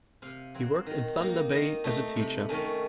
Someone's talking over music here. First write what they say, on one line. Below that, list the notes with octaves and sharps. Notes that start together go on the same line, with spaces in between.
He worked in Thunder Bay as a teacher.
C3 F5
F#3 C4
D#3
A#3 D#4
D#3 D#5
A3 D#4
C3
D#3 A3 C#4